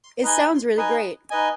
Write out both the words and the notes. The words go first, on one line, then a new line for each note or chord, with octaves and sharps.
It sounds really great.
D#4 B4 D#5 G#5
D#4 B4 D#5 G#5
D#4 B4 D#5 G#5